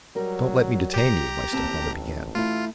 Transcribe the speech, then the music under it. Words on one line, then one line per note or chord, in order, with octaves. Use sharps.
"Don't let me detain you," my stepmother began.
F#3 G3 A#4
G4 A#5
A1 D#2 C4 A5
A3 E4 F4